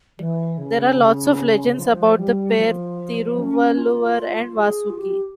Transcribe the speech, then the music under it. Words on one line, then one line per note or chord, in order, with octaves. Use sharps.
There are lots of legends about the pair Thiruvalluvar and Vaasuki.
E3
C#3
C#3
F3
G3
F3
C#4
F4
G#4
F4
G4